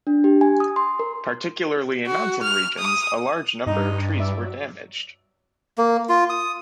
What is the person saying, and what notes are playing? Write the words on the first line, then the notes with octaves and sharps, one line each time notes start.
Particularly in mountain regions, a large number of trees were damaged.
D4
G4
G#5
D#6
C6
A#4
F#4
F6
D#6
G2 D#4
E3 D5 E5
F#3
A#3
F4
D#6